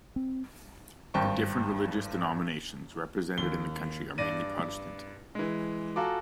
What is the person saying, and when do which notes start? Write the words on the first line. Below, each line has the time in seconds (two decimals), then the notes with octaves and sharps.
The different religious denominations represented in the county are mainly Protestant.
0.16 C4
1.14 G#1 G2 C5 G5 A5 C#6
3.38 D#2 G7
4.18 G2 D5 A#6 D#7
5.35 E3 G#3
5.96 F4 F#4 A4 G#5 A#5 D6